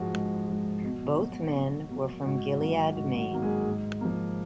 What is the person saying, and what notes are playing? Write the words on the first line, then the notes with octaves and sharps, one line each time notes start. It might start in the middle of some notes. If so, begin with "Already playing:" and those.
Both men were from Gilead, Maine.
Already playing: G#2 F3 G#3 F#4
G#2
F3 G#3
B2
F#3 A#3
B2
F#3 A#3
G#2 F#4
D#3 F#3 A#3
G#2 F#4
F#4
D#3 F#3 A#3
G#3 G#4
G#2
F3 A#3